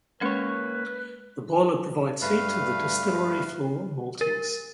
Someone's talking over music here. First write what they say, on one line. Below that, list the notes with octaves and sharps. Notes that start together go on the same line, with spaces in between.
The boiler provides heat to the distillery floor maltings.
G#3 A#3 C#4 B4 C#5
G2 A3 B4 F5
A#4